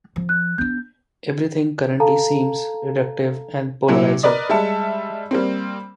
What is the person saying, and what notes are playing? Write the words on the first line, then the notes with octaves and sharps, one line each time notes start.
Everything currently seems reductive and polarising.
F3
F#6
B3 D4 G6
A4 F5 A5 A#5
A#2 F#3 E4
A#4 B4 D5 D#5
G3 G#3 E5 A5 C#7
G3 A#3 C4